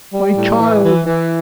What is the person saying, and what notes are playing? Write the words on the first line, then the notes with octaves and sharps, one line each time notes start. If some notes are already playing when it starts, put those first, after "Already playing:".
My child!
G3
A2
E3
E3
E3